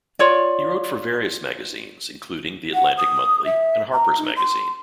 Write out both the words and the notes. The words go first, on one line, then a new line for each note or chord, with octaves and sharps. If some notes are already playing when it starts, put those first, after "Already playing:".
He wrote for various magazines, including "The Atlantic Monthly" and "Harper's Magazine".
F4 C#5 D5
F#5
D#6
E5
A#5
D#4
C6